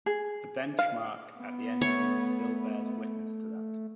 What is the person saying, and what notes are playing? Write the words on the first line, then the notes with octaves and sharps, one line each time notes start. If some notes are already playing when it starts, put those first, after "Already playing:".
A benchmark at the entrance still bears witness to that.
G#4
F5
B3
A3 C#5